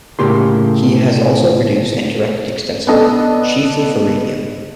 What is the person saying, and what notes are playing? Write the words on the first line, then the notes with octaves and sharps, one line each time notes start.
He has also produced and directed extensively, chiefly for radio.
A2 C#3 A#3 G4 C6
B3 D4 A4 D#5